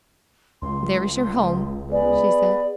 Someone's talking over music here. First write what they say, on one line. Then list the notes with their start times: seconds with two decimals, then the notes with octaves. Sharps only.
"There is your home," she said.
0.62 C#2 C6
1.92 B3 G#4 B4 D5